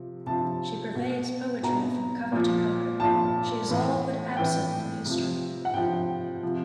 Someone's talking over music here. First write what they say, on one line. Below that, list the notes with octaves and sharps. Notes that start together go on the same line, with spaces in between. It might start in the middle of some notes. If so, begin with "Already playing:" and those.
She pervades poetry from cover to cover; she is all but absent from history.
Already playing: C3 F3
C3 F3 A5
B2
B2 A#5
A#2 F3
A#2 F3 A5
A2 E3
A2 E3 G5
C3 F3
F#5
C3 F3 G5
C3 F3